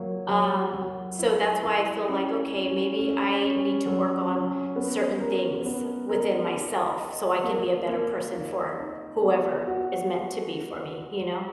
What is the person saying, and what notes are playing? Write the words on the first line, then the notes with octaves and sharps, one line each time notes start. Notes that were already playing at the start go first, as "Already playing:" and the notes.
um, so, that's why I feel like, "Okay, maybe I need to work on certain things within myself so I can be a better person for whoever is meant to be for me." You know?
Already playing: F#3 A#3
F#3
F#3
E4
E4
C#4
C#4
C#4
C#4
F#3
C#4
B3
A#4
B3
A#4
D#4
D#5
A#3
A#3
D#4
D#4
B3
F#4